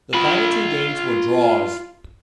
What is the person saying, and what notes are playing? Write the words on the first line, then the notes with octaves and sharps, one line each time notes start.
The final two games were draws.
F4 B5